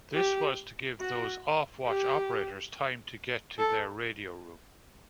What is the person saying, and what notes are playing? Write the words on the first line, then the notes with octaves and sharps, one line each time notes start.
This was to give those off-watch operators time to get to their radio room.
G4
F#4
G4
A4